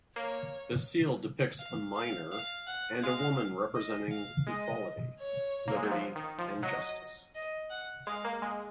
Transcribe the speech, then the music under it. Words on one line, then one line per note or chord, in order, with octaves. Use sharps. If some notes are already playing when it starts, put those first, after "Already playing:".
The seal depicts a miner and a woman representing equality, liberty and justice.
A#3 C#5
F5
F5
F5
F#5
G#3 F5
D#5
F5
G#3 D#5
C#5
A#3
G#3
F#3
F3
D#3
F3
F#3 D#5
D#5
F#5
G#3 F5
A#3
G#3